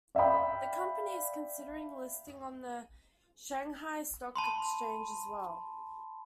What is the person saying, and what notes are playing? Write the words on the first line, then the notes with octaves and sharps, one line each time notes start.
The company is considering listing on the Shanghai Stock Exchange as well.
D5 E5 F5 G5 B5
A5 B5 C6